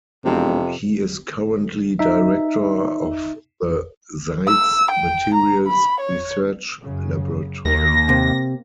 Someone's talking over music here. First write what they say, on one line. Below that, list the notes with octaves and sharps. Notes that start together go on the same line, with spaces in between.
He is currently Director of the Seitz Materials Research Laboratory.
E1 F2 C3
D#4 E5
E6
G5
A#5
B5
C#5
F#2 C#3
D#2 A#3 A#6
C3